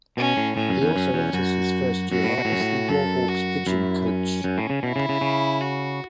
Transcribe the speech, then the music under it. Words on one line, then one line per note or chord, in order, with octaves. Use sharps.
He also enters his first year as the Warhawks' pitching coach.
B2 C#4
A2
A2 C#4
F#2
E2
F#2
E2
F#2 F#4
F#2 F#4
A2
B2
A2
F#2
A2
F#2 A4
F#4
F#2 E4
C#4
F#2
A2
C#3
B2 E4
C#3
C#3
C#3
F#4